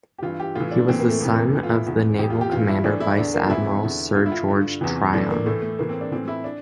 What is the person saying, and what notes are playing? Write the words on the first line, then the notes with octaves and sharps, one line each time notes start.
He was the son of the naval commander Vice-Admiral Sir George Tryon.
G4
G2 E3 F4
G4
A2 E3 F4
D4
A2 E3 C4
A#3
A3
F2 C3 E3 A3
A#3
A2 E3
F4
E4
E2 C3 E3
F2 E3 G4
F4
G4
G2 E3 F4
E4
A2 E3 D4
E4
E2 D3 D4
A#3
F4
E2 C3 E3 E4
E2 D3
G2 D3 F4
E4
F4
G2 D3
E2 C3 E3
A2 E3 D4
A#3
A2 E3 A3
A3
A2 E3 A#3
C4
D4
A2 E3 C4
E4
D4